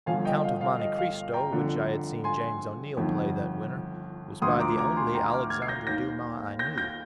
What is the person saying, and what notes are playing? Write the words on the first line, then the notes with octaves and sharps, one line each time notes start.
"The Count of Monte Cristo," which I had seen James O'Neill play that winter, was by the only Alexandre Dumas I knew.
G1 G2 F3 F5 G#5
D#5 G5
F5
F5
D#5
F5
G5 A#5
G1 F2 D3 F3
G#5 C6
G1 F2 D#3
D2 D3 F3 C6 D#6
A#5 D6
A#5 D6
G#5 C6
G5 A#5
D6 F6
F6 G#6
C7
G6 A#6
D#2 D#3 G6 A#6
G6 A#6
G6 A#6